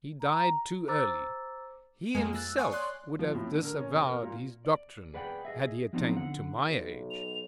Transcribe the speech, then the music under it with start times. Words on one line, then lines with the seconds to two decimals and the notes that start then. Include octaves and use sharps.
He died too early; he himself would have disavowed his doctrine had he attained to my age!
0.20 A#5
0.88 C5 A#5 D6 E6 A6
2.15 F2 G#3 A#3 G#5 D#6
2.33 E6 F#6 A6
2.58 F5 G#5 C#6 D#6
2.70 C#5 D5 C6 F#6
3.19 F3
3.35 A2
3.52 D3
3.65 A#4
3.80 C#4
3.94 C3
4.06 A#4
4.23 A#2
4.65 D5
5.14 G#4 B4 D5 F#5 G5
5.45 G#4 D#5 E5
5.93 F3 F#3 B3 C4 D4 D#4
6.17 D3 F#5
6.66 B1
7.10 F7